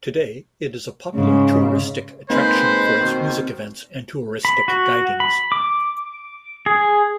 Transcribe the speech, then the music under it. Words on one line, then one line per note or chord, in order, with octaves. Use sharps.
Today it is a popular touristic attraction for its music-events and touristic guidings.
G#2 C#3
G#3 A#3 C4 D#4 B4 C5
B2 D#3 C4
B5
F#4
B5
D6
G#4